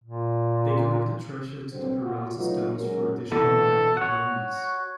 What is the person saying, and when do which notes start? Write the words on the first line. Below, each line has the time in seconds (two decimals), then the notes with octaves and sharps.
They connect the treasure to the Peralta Stones through additional map components.
0.04 A#2
1.71 G2 D3 F#3 C4
2.02 A2 F4 F#4
2.36 E3 F#3 A3 B3 D#4 F4
2.77 G#2 F#3 C#4 F#4 A#4
3.32 B2 D3 E3 A4
3.97 F#4 C#5 F#5